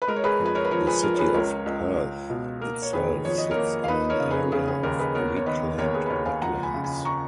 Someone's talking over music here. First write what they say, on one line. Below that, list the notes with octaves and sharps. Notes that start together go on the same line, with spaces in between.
The City of Perth itself sits on an area of reclaimed wetlands.
B4
G#3 A#4
C#5
G#4 B4
F2
B4
A#4 C#5
B4
F3 A#4 C#5
G#4 B4
F3 A#4
C#5
G#4 B4
C#2 A#4 C#5
C#2
C#2
B2
A#3 A#4
C#5
D#3 G#4 B4
F2 C#5
D#5
A#4 C#5
A#3
F5
D#4 B4 D#5
A#4 C#5
C#3
G#4 B4
C#3 G#4
G#4
D#2 A#4
G#4 B4
B3 A#4 C#5
C#5
D#3 B4 D#5
D#2 A#4 C#5
G#4 B4
B4
D#2 A#4 C#5
F5 G#5
F2 F#5 A#5
G#5 B5
C#3
G#5 B5
A#5 C#6